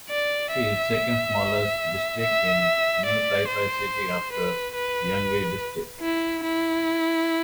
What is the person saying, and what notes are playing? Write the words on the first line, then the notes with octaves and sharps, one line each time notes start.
It is the second smallest district in New Taipei City after Yonghe District.
D5
E5
E5
D5
C5
B4
B4
E4
E4